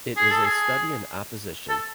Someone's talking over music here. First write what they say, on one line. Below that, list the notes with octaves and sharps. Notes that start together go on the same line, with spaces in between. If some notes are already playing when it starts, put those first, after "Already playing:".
It is a study in opposition.
G#4
A4
G#4
A4